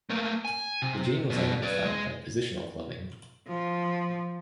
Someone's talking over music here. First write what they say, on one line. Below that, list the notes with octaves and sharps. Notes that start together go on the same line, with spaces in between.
The gene was identified by positional cloning.
A3 A#3
G#5
C3
D#2 B2
B4 D5
G#3
F3